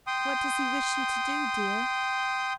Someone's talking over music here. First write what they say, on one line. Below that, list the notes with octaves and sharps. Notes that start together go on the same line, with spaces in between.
'What does he wish you to do, dear?'
G5 C6 D#6